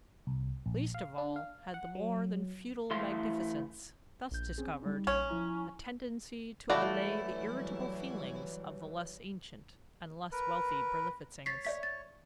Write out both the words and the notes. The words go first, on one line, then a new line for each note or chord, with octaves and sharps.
Least of all had the more than feudal magnificence, thus discovered, a tendency to allay the irritable feelings of the less ancient and less wealthy Berlifitzings.
C2
A#1
F5
D4
F5
F#5
F#3
A2 E3 A3 F5 C6
A#1 G6
C4 C#4 G#4
G3 D#4
A#1 C#4
F3 E4 A#5
E3 F#3 G3 A3 E4 F#4 D5 F5
A#4 B4
C#5 A6 B6 C7
D5 E5 B6
A6